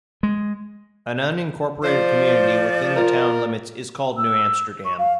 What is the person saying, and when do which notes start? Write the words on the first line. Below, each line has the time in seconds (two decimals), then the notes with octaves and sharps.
An unincorporated community within the town limits is called New Amsterdam.
0.23 G#3
1.83 F3 C5 D5
2.96 F4 A#4
4.17 E6
4.85 C#6
4.99 F5